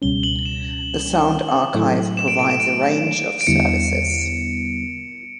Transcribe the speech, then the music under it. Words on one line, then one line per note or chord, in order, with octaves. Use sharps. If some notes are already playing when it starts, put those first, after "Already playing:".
The Sound Archive provides a range of services.
C#2 B2 G3 C#4 G7
F#7
E7
A2 F#3 A3 E4 A4
E7
D7
D7
E7
D7
D7
E2 D3 G3 B3 E4 C#7